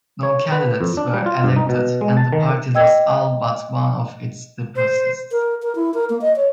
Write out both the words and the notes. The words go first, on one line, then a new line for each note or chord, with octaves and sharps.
No candidates were elected, and the party lost all but one of its deposits.
C#5
B4
F2
D4
G3
F4
G2
D#4
B2
G#3
A5
D#3
D#5 G5 E6 G#6
C5
A#4
A#4
E4
A#4
A#3
D#5
C#5